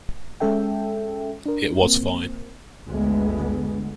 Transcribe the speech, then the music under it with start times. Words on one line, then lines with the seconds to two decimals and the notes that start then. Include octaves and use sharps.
It was fine.
0.40 G#3 C#4 A4 E5 G5
1.46 D4 A#4
1.82 A#3 C4
2.88 G1 D2 D3 G#3 B3